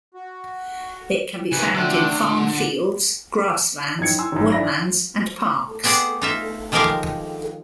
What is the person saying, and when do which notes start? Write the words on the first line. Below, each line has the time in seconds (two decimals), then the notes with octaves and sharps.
It can be found in farm fields, grasslands, wetlands, and parks.
0.14 F#4
1.52 C#2 C3 D#3 B4 G#5
1.74 D3 A3 C4 D4
2.20 A#2
3.99 F#2 D#3 G#6 C#7
4.18 G#5 C6 E6
4.32 G#1 F#2
4.52 D4 E5 B5 A#6
5.84 B3 C4 G#4 D5 F#5
6.22 D#4 F4 E5
6.72 D#3 F3 G#3 G4 A#4 F5